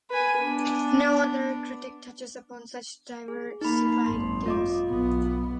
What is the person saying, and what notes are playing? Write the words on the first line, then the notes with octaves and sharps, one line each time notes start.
No other critic touches upon such diversified themes.
B4 G#5
B3 D4
G#4
A#3 D#4 B5
G#1 F#2 C6
F4 D#5 D6
B1 B3